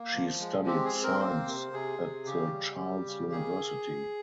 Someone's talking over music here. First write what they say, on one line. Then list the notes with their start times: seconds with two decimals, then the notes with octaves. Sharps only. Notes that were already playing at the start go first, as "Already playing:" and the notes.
She studied science at the Charles University.
Already playing: A#3
0.14 F3
0.40 G#3
0.67 C4 G4
0.85 G#4
0.94 C4
1.03 A#4
1.20 A#3 C5
1.46 C3
1.73 C3 G#4
1.99 C3
2.26 C#3 G4
2.52 G3
2.78 G3
3.05 C#3
3.32 D#3 G#4